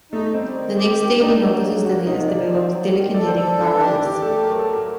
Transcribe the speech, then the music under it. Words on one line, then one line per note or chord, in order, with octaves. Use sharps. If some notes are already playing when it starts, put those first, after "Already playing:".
The next day, he notices that he has developed telekinetic powers.
A3 D#4
G3 C4
D#3
G4
D#3
D4 D#4
A#3
F#3
A#3 F#4
C3 D#4
A#3 D5
C4
F#3
D#3
A4 D5
C5
A4 D5
D4 D5
G4 D5
G4 D5
A3 A4
F#3 A#4
A4
F#3
A#4